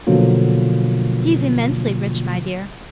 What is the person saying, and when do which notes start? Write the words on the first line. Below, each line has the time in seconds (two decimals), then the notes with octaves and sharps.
He's immensely rich, my dear.
0.07 B2 D3 F3 F#3 A#3 F4